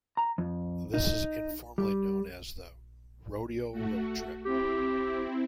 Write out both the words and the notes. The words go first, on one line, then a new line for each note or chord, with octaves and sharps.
This is informally known as the "Rodeo Road Trip".
A#5
F2
D#4
G3
A3 F#4
C4 E4 G4